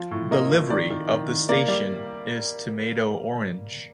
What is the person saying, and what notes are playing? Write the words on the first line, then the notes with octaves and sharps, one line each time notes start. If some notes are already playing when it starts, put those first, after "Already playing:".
The livery of the station is tomato orange.
Already playing: F3
A2
A#3 D#5
F3
D#3 D5
D#3
D#3
D#3
A#3 D5
G3 D5